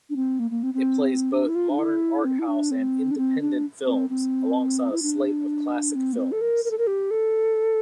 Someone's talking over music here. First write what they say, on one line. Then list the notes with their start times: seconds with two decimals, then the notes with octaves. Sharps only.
It plays both modern art-house and independent films, alongside a slate of classic films.
0.10 D4
0.16 C4
0.39 A#3
0.51 A#3
0.63 C4
0.74 C4
1.32 D4
1.48 E4
1.55 F4
1.69 D4
1.78 E4
2.25 C4
2.39 E4
2.48 D4
2.71 C4
3.11 D4
3.17 C4
3.41 D4
3.86 C4
4.10 C4
4.92 E4
5.02 D4
5.95 C4
6.13 A#3
6.18 C4
6.32 A4
6.41 A#4
6.65 A#4
6.71 A4
6.78 A#4
6.87 G4
7.11 A4